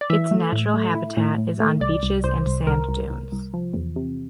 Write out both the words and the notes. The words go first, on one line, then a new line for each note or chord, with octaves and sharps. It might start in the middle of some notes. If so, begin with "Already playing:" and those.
Its natural habitat is on beaches and sand dunes.
D5
E3 E5
A3
A2
A3
E4
A2
A2
A3
C2 D5
C2
C2 C5
C2
C2 A#4
C2
C2
C2
F3
E2
C3